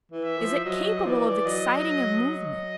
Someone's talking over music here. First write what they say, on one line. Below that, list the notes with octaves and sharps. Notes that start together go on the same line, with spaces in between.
Is it capable of exciting a movement?
E3
E5
F3
F#3 D#5
F3
E3 D5
F#3 D#5
D#5